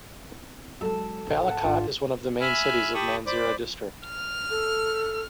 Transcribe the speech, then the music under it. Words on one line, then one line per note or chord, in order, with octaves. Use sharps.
Balakot is one of the main cities of Mansehra District.
F#3 G#3 A4 E6
A#1 D#4
G#2 F#5 A5
G#1 D4 F4
E5 G#5 B5 F6
G4 A5 B5 C#6 D#6
C5 D5 B5 D6
F6
A4